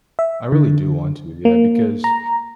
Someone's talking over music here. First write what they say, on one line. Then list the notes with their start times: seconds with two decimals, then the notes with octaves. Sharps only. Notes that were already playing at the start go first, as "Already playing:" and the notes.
I really do want to, yeah, because,
0.19 E5
0.52 D3
1.45 A#3
2.04 A#5